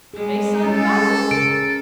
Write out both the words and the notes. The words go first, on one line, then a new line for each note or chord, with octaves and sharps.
Place on fire?
G3 G#3 G#4
C#4 G#4 A4
C#3 A#4 D7